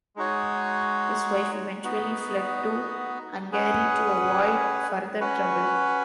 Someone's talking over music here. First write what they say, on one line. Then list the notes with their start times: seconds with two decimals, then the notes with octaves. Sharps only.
His wife eventually fled to Hungary to avoid further trouble.
0.16 G#3 D#4 F#4 C#5
1.84 B3 D#4 F#4
3.52 C#4 G#4 B4 F#5
5.20 C#4 F#4 B4